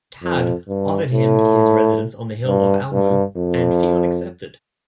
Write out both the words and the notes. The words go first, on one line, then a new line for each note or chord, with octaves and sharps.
Tadg offered him his residence on the hill of Almu, and Fionn accepted.
F2
G2
A2
G2
G2
F2